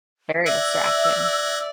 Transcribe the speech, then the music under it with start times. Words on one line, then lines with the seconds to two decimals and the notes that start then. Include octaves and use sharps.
Very distracting.
0.46 D5 E5 E6 F#6 G#6 A#6